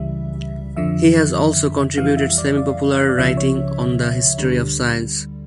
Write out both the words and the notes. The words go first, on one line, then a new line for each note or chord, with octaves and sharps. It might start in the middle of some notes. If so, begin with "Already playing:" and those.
He has also contributed semi-popular writing on the history of science.
Already playing: C#2 C#3 E3 G3 E5
F2 D3 F3 E5
F2 E3 G3 F5
E5
D5
D5
D5
C#2 C#3 F3 E5
C#5
D2 D3 G3